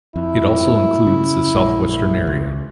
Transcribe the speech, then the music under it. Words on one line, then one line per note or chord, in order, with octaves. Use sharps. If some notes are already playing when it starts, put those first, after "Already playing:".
It also includes the southwestern area.
F2 E4
C#3
A#1 G#3
C#2